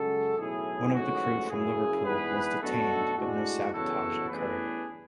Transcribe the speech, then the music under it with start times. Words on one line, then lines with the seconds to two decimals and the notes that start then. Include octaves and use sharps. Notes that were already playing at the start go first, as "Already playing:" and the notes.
One of the crew from Liverpool was detained but no sabotage occurred.
Already playing: F#2 C#3 G#3 F#4 A4
0.38 B1 A2 E3 E4 G#4
0.94 A1 G#2 F#3 A3 F#4
1.49 F#1 F#2 C#3 E4 G#4
2.05 G#2 E3 B3 D4 G#4 B4
2.62 B1 B2 A3 D4 F#4 A4
3.18 A2 G#3 D4 F#4
3.73 E2 C#3 F#3 B3 E4 F#4 A4
4.30 A1 A2 E3 B3 D4 G#4 B4